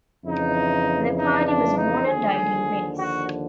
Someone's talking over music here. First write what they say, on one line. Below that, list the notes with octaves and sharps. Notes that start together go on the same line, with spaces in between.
Leopardi was born and died in Venice.
F2 C#3 E3 D#4
D#4
D4
D#4
D#2 D3 F3 G#4
F#4